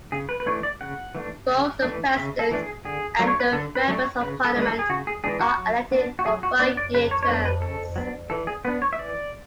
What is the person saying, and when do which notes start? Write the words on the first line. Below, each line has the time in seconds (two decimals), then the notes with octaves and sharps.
Both the president and the members of Parliament are elected for five-year terms.
0.12 C#3 G#4
0.29 B4
0.40 B4
0.46 E3 A3 D4 C#5
0.63 D5
0.81 C#3 F#5
1.15 E3 A3 D4
1.49 C#3
1.83 E3 A3 D4
2.17 C#3 E5
2.39 A4
2.51 E3 A3 D4
2.62 G#4
2.85 D3 G#4
3.19 F#3 A3 D4
3.28 C#5
3.40 B4
3.53 D3 A4
3.75 B4
3.88 F#3 A3 D4
3.98 C#5
4.21 C#3 B4
4.45 A4
4.55 E3 G#3 D4
4.62 B4
4.67 A4
4.79 G#4
4.90 C#3 F#4
5.07 G#4
5.24 E3 G#3 D4 G#4
5.40 F#4
5.58 F#3
5.92 B3 D4
6.19 F#4
6.26 F#3 G#4
6.43 F#4
6.59 B3 D4 D5
6.77 D5
6.94 C#3 B4
7.11 C#5
7.23 C#5
7.28 F#3 B3 D4 B4
7.45 B4
7.62 C#3 A4
7.96 F#3 B3 D4
8.30 E3 A4
8.47 G#4
8.65 B3 B4
8.68 D4
8.82 C#5
8.93 E5
8.99 E3 D5